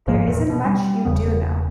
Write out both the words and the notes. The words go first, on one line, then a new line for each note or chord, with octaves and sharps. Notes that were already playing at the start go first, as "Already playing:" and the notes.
There isn't much you do know.
G1 G#2 F3 A#3
E2 A#2
B2
G3
E1 E2 C#3 B3